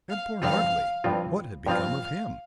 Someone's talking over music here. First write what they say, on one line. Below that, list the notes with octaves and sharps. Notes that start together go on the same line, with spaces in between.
And poor Hartly--what had become of him?
F5
G2 F3 C4 F4 F5
G2 F3 C4 F4
G2 F3 C4 F4 F5